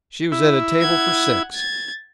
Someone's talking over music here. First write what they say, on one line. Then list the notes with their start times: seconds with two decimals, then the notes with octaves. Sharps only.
She was at a table for six.
0.32 E4
0.81 F#5 G#6
1.53 G#6 A6